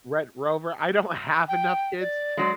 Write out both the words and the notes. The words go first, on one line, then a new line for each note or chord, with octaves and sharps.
Red Rover, I don't have enough kids
G5
D5
F#3 G#3